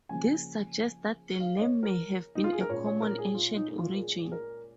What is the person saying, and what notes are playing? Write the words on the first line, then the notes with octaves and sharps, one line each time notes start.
This suggests that the name may have a common ancient origin.
C#3 F3 A#3 C#4 G#5
F5
D#5
C#5
A#4
D#4
F4
G#4
A#4
A#2 G#3 C#4 C#5
C#5
A#4
G#4
F4
D#4
D#4
F4
A#4
G#4
G#4
A#4